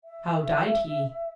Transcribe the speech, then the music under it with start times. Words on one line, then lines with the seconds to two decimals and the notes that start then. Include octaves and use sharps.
"How died he?"
0.04 E5